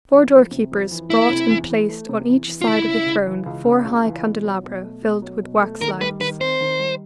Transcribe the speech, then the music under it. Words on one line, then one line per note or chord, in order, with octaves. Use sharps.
Four doorkeepers brought and placed on each side of the throne four high candelabra filled with wax-lights.
E3
F2
C3
F2
E3
A3 E4
C3
E2
E3
A3
C3
E2
E3
F4
C#2 E4
C#3
C#2
E3
C#2
C#3
C#2
E3
B2
F#3
B2
A3
B2
F#3
B2
A3
D#3 A#4
G3 B4
D#3 B4
C4 C5
D#3
G3